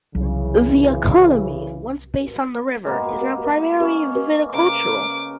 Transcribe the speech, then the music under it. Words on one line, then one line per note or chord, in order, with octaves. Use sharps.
The economy, once based on the river, is now primarily viticultural.
C2 C#3 E3 F#3
G#3 A#3 B3
C#4
C#3 A#4 D6